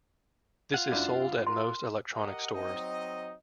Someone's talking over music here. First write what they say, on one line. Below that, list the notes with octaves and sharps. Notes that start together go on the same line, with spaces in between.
This is sold at most electronic stores.
F4 F5 F#5
F#2 D4 E4
A#4 C6
G4 A#4 D#5 F#5
F#3 C4 D#4 D#5